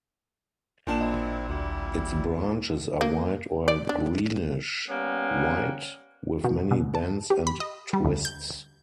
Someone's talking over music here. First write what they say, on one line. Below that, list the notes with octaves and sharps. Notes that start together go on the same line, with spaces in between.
Its branches are white or greenish-white, with many bends and twists.
A1 A#2 D4 G5 E7
C4 E4 D#5
D2 G3 E4 F#4
A#3
D5
D4
G3 A#3 B3 C#4
B2
B2
A5
G4
B5
D#5
G3
D2
G6